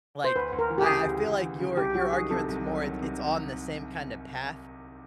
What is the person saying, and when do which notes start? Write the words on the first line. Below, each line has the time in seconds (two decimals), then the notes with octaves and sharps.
Like, I I feel like your your argument's more it it's on the same kinda path,
0.24 C5
0.36 D2 B4
0.52 D2
0.59 A#4
0.70 E3
0.78 G4
0.82 G#4
0.89 C#3
1.06 D2
1.24 D2
1.41 E3
1.60 C#3
1.77 C2 G4
1.94 F#3 F#4
2.13 D#3 G#4
2.31 C3 A4
2.48 C2
2.66 F#3
2.84 D#3
3.02 C3